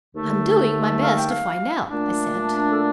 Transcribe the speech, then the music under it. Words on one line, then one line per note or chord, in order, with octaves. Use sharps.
"I'm doing my best to find out," I said.
D#2 D3 A3
F5
G5
F5
A#2 A3 D4
A4